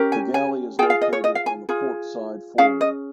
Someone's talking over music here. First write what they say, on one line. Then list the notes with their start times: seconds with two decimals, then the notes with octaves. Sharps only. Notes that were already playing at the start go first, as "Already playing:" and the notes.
The galley is located on the port side forward.
Already playing: C#4 G4 A#4
0.12 G#5
0.34 G#5
0.79 G#4 G5
0.82 F4
0.90 F5
1.02 D#5
1.13 C#5
1.24 D#5
1.35 F5
1.46 G#5
1.69 F4 G#4
2.58 C#4 G#4 F5
2.81 D#5